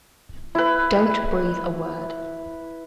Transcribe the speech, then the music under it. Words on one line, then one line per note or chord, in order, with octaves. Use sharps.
Don't breathe a word!
E4 B4